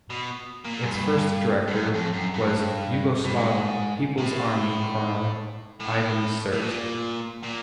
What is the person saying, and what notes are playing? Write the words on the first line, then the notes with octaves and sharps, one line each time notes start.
Its first director was Yugoslav People's Army colonel Ivan Sert.
B2
A#2
F#2
G2
G2
F#2
F2
F#2
G2
G2
G#2
A2
A2
A2
A#2
A#2